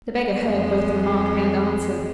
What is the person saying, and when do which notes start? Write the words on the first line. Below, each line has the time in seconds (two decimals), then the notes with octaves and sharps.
The beggar heard both remark and answer.
0.41 F2 G#3